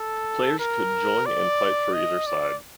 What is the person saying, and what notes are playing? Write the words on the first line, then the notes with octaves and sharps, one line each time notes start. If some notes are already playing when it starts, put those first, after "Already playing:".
Players could join and fight for either side.
Already playing: A4
A#4
D5
D#5
D5